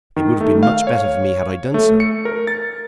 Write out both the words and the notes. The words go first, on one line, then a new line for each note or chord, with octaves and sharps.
It would have been much better for me had I done so.
D#3
A3
F5
C#5
A3
C#7
A#4
A6